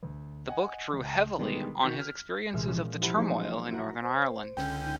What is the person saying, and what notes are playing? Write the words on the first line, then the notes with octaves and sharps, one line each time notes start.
The book drew heavily on his experiences of the turmoil in Northern Ireland.
D2
D#5 F#5 G#5
C#2
B2 D3 D#3 G3 G#3 B3
D#3 F#4 G6 B6
F6
C2 A#2 E3 G#3 E5 F6
F3 C#4
E4 G4 C5 F#5 A5 B5
F#3 G#3 A3 D#4 C5
E4 F#4 A#4 F#5 A#5
C5
C#2 D3 C#4 G5
D#4